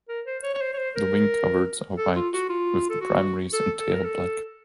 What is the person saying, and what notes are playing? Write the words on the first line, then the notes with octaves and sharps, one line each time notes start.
The wing coverts are white with the primaries and tail black.
A#4
C5
C#5
C#5
C5
C#5
C5
A#4
A4
F4
F#4
F4
A4
F#4
A4
A4
A#4
A4